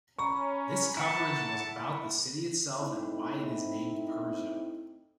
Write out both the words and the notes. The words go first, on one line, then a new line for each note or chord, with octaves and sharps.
This coverage was about the city itself and why it is named Persia.
C#4 A#5 B5 C#6
E4 F#5 A5
A3 C4 D#4 E4